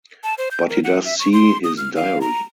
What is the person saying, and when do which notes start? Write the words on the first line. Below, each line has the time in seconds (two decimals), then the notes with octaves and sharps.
But he does see his diary.
0.24 A5
0.38 C5
0.51 G6
0.69 A#4
0.84 F#5
1.05 E5
1.20 C#6
1.33 C6
1.64 D#6
1.77 F6
1.96 F5
2.21 A#5